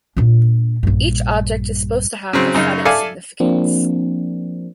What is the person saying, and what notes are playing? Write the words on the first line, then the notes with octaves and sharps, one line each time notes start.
Each object is supposed to have a prophetic significance.
A#2 D4
A#1 G2
C#3 F#3 C4
F#2 C#3 D#4
A4 D5 E5 F5 G#5 A5
F3 A#3 C4 D4